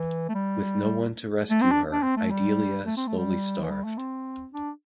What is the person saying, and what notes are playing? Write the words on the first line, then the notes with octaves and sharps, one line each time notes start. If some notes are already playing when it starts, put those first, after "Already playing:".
With no one to rescue her, Idilia slowly starved.
Already playing: E3
A3
G3
A3
C4
D4
D4
C4
A3
G3
A3
C4
A3
G3
E3
G3
A3
C4
D4